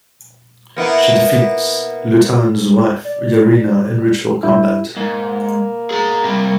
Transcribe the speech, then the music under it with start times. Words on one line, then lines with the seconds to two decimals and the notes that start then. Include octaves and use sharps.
She defeats Lutan's wife Yareena in ritual combat.
0.76 A#3 B3 E4
3.04 D5
4.43 G2 E4 G6
4.96 G#2 A#3
5.91 G#4 A#5
6.24 C3 G3